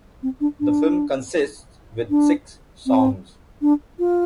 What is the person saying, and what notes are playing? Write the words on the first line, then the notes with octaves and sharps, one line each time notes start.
The film consists with six songs.
C4
D4
D4
D4
C4
D4
F4